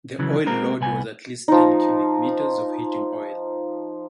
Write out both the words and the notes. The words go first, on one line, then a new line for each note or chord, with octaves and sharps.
The oil load was at least ten cubic meters of heating oil.
C#3 E3 F#3
G#3 A#3 C4 A#4
C2 B3 G#5
F3 D#4